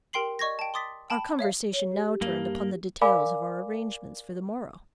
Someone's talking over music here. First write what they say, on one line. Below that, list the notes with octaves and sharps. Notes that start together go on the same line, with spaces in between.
Our conversation now turned upon the details of our arrangements for the morrow.
G4 A#4 G5 C6 C7 F#7
D5 D#5 C#6 G#6 A#6
G5 A5
C6 D6 D#6 A6 B6
G5 A5 B5
C#5 E5 F5
C#5
G4
G2 A#3
A#4 D5 F5 G#5 B5 D6